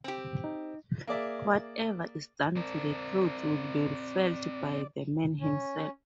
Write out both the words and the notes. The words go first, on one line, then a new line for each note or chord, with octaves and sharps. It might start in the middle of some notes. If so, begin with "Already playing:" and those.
Whatever is done to the clothes will be felt by the man himself.
C4 G4
D#4
A#3 G#4 D5 E5
C4 A#4 D5
C#4